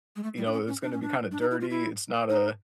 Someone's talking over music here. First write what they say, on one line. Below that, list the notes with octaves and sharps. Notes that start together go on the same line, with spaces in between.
you know, it was gonna be, kinda, dirty. It's not a
G#3
A3
G3
D4
C#4
C#4
D4
C#4
D4
D4
D#4
E4
F4
E4
D#4